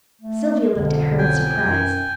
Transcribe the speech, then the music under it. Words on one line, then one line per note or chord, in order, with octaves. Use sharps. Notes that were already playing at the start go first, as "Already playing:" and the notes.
Sylvia looked at her in surprise.
A3
B1 F2 D3
G5 G#5
F#2